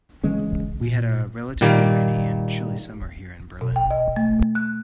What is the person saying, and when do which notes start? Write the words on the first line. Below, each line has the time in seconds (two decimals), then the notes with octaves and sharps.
We had a relatively rainy and chilly summer here in Berlin.
0.24 C#3 E3 G#3 C#4
0.81 A#2
1.61 A#2 D#3 G3 A#3
3.61 B2
3.76 G5
3.91 D#5
4.16 A3
4.55 F#6